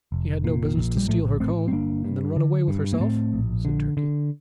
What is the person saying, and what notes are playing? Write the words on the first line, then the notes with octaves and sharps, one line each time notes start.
"He had no business to steal her comb, and then run away with herself," said Turkey.
F1
A#2
A#1
G3
A2 F3 A3
A2 A3 C4
C4
G1 A#3 D4
G2
D3
G2
A#3
A2 A3 C4
A#1
D3
D3